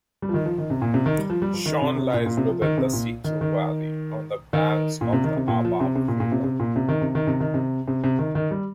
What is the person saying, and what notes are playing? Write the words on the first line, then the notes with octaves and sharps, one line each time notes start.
Seon lies within the Seetal valley, on the banks of the Aabach river.
G3
F3
D#3
F3
D#3
C3
A#2
C3
D#3
G3
F3
G3
F3
D#3
C3
C3
A#2
A#2
C3
F3
D#3
C3
A#2
D#3
D#3
D#3
A#2
C3
D#3
C3
A#2
F3
C3
C3
A#2
A#2
C3
C3
A#2
C3
D#3
C3
D#3
C3
D#3
C3
C3
C3
D#3
D#3
G3